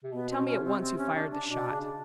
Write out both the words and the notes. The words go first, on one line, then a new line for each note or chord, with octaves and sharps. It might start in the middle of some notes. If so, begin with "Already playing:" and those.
"Tell me at once who fired that shot?"
C3
B2 B3
C4
B2
C#4
C3
C4
C4
C#4
D4
D4
B2 D4
C#3
D4